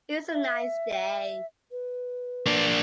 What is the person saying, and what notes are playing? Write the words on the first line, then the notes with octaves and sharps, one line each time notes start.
It’s a nice day.
E5
B4
A#3 D4